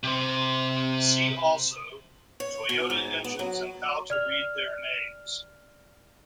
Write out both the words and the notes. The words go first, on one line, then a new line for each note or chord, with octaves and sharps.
See also: Toyota engines and how to read their names.
C3 C5
C#5
B2
G#2
B3
F#3
D5 F6 F7